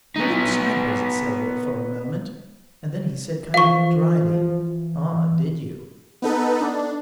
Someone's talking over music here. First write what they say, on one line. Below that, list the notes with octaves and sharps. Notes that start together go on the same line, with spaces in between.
He looked sideways at Sylvia for a moment and then he said kind of drily, "Ah, did you?"
B3 D#4
E3 F3 F5 C#6
B3 D#4 A4 B4
D4